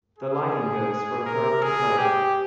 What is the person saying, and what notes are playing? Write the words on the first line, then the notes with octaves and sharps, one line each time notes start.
The lighting goes from curb to curb.
G#4
A#4
G#4
G4